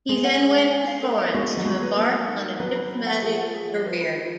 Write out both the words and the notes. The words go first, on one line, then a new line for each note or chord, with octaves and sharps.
He then went to Florence to embark on a diplomatic career.
G#3 G#4
F#5
G#4
C#5
G#5
F5
A#4
C#5
G#3 F#4
D#5
F#3
G#3 F#4
B4
A#3 C#5
A#4
D#4
F#4
F#3 B4
B5
B4
F#5
F3 G#4
F#5
G#4
C#5
F3 B4
B5
B4